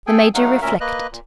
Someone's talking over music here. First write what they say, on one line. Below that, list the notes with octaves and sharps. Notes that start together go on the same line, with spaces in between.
The Major reflected.
G#4 A4 G5 G#5
F#3 A3 D#4 F5 F#5
D2 A#2 C#4 A#4 E5
A#3 B4 D#5 F#6
A#2